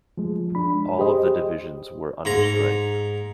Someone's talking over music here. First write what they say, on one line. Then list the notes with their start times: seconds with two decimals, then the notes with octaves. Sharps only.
All of the divisions were understrength.
0.17 F3 G#3
0.55 D4 B5
0.99 G4 G#4 C5 D#5
2.25 G#2 A#5